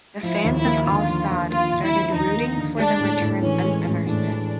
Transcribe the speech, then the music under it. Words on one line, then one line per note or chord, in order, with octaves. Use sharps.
The fans of Al-Sadd started rooting for the return of Emerson.
F3 E4
D#2
E4
A#3
D3 F4
F3
D#2
A#3 F4
D3
E4
F3
D#2 D#4
A#3
D3
G#3 D4
A2
A2
E3 C#4
G#3
A2
A2 D4
E3